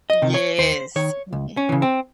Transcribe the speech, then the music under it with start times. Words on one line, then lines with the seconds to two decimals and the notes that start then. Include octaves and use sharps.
Yes. Mhm.
0.10 D#5
0.22 C3 D#3
0.34 C#5
0.58 D#2 C5
0.96 D#3 C#5
1.33 C#2
1.57 C#4
1.69 C#3 E3
1.82 C4